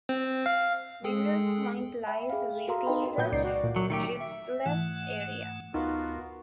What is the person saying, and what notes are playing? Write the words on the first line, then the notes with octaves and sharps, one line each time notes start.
Mineral Point lies within the Driftless Area.
C4
F5
G#3 G#4 A4 G5
E5 G5 B5
G#4 F5
F#4 A4 A#4 F5 A#5 C6
D#4 B4 D#5 G5 B5
A#2 F#3 B3 G5 G6
C#2 D#4 D5 C7
F#4 D5
A#2
F#2 F#3
D#3 A3 G4
E5
G#2 E3 A3 F#5
D2 B3 D#4 F4 F#4 A#4